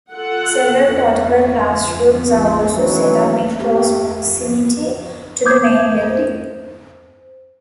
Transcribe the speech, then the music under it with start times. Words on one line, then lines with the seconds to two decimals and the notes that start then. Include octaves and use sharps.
Several portable classrooms are also set up in close proximity to the main building.
0.11 F4 A4 F#5
2.29 A#1
2.76 B1 E3 F#3 A3 C#4 B4
3.60 A3 G4
5.46 D6 D#6 G6 G#6
6.10 C5